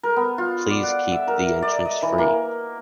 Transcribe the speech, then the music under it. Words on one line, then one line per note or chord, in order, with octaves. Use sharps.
Please keep the entrance free.
A#4
B3
F4
D5
F#5
E5
A#4
D5
D#5
E3
A#3